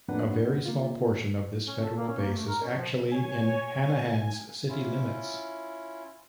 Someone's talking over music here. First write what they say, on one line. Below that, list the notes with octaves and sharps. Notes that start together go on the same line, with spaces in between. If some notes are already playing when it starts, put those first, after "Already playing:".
A very small portion of this federal base is actually in Hanahan's city limits.
F2 A2 A#3 D4 B4 F#5
A#3 F4
C#4
A4
A#3
C#4
A#3
A3
A#4
C#4
F3
C#5 G#5
C#4 E4 F4